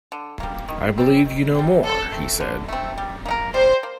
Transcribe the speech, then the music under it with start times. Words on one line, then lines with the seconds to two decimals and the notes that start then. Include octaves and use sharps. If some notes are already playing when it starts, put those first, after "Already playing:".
"I believe you know more," he said.
0.12 D3
0.40 G3 A#3
0.68 D#3
0.98 G3 C4
1.25 D#3
1.55 G3 C4
1.83 D3 A4
2.12 A3 C4
2.40 D3
2.68 A3 C4
2.98 G3
3.25 A#3 D#4 A#4
3.54 G3 C5
3.83 A#3